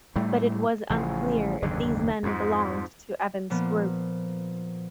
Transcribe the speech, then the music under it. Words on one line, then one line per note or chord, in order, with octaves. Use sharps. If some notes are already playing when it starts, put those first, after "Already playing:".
But it was unclear if these men belonged to Evans' group.
A2 G3 A3
A1 C#3 F3
F#1 D#2 G#2 D3
F2 G#2
A#2 F3 B3